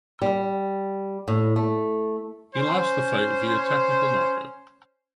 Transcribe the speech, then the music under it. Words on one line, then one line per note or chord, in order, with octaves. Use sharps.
He lost the fight via technical knockout.
G3
A2
A3
C#4 C5